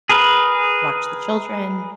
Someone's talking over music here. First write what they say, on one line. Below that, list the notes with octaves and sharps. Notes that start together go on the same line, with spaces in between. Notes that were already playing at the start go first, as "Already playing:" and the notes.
to watch the children
G#4 A#4 B4